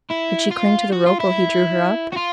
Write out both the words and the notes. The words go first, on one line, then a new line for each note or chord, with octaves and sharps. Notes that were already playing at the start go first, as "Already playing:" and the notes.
Could she cling to the rope while he drew her up?
E4
F4
F#4
F4
E4
F#4
F4